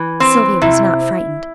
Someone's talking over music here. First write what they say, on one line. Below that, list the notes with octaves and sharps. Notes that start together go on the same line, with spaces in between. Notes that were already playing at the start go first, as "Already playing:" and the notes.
Sylvia was not frightened.
Already playing: E3
C4
C3 E4